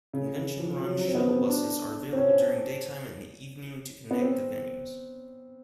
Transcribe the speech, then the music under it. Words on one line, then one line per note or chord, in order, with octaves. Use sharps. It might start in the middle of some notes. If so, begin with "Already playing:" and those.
Convention-run shuttle buses are available during daytime and the evening to connect the venues.
C#3
C#3
F3
F#3
F#3
C4
B3
C4
D4
C4
C#4
B3
C4